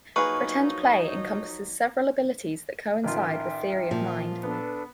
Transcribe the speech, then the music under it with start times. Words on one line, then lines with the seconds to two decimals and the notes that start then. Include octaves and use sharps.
Pretend play encompasses several abilities that coincide with theory of mind.
0.16 F3 F#3 A#3 D#4 G#4 B4 C#6
3.04 A1 D#3 F4 E5 G5
3.91 A#2 F3
4.43 B3 D4 A4 B4